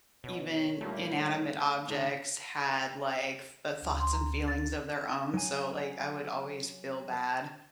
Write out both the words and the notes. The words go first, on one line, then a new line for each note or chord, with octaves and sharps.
even inanimate objects had, like, f uh, thoughts and feelings of their own, so, like, I would always feel bad,
B2 C#5
A#2 G3 A3 A#3
A2 D3
D2
C6
A#5
A6
F#3 G#5